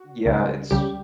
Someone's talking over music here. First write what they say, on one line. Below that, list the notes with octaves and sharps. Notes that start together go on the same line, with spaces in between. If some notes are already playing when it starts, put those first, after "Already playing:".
Yeah, its
Already playing: F#4
C#2 C#3 G3
C#2 C#3 G3 G4